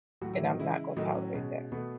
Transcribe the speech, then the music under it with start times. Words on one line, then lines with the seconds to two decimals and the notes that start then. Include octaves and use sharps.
and I'm not gonna tolerate that.
0.21 A2 F#3 A3 F#4
0.33 E3 E4
0.46 D#3 D#4
0.59 C#3 E3 G#3 E4
0.96 A2 D#3 F#3 A3 D#4
1.15 C#4
1.33 B2 G#3 C#4
1.72 B2 A3 B3